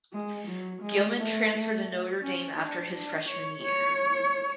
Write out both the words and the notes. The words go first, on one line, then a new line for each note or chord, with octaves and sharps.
Gilman transferred to Notre Dame after his freshman year.
G#3
F#3
G#3
A3
C#4
D4
D4
C#5
C#5